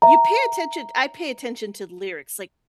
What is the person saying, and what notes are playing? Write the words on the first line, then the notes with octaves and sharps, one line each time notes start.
you pay attention, I pay attention to lyrics, like,
E5 A#5